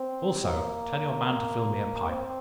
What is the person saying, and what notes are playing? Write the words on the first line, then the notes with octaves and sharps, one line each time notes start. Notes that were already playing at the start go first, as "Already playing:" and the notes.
Also, tell your man to fill me a pipe.
Already playing: C4
A#3
C4